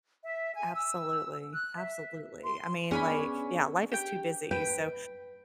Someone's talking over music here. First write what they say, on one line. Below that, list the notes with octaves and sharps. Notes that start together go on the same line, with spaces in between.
Absolutely, absolutely, I mean, like, yeah, life is too busy, so
E5
G#5
E6
F#6
E5
C6
B3 C#4 D4 G#4 G#5 B5
G4 G5
B4 G5